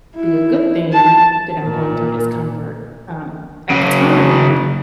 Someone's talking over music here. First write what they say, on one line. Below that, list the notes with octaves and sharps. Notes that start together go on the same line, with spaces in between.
be a good thing that I'm going through discomfort, um, at the time
E4
A5
A#2
C#3 F#3